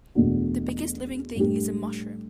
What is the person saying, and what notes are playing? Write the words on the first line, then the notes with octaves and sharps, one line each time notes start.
The biggest living thing is a mushroom.
E2 B2 A3 D4 F#4
A2 G3 D4 G4